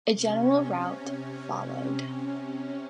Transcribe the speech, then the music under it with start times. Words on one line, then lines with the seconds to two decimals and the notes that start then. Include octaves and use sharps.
A general rout followed.
0.12 C3 C#4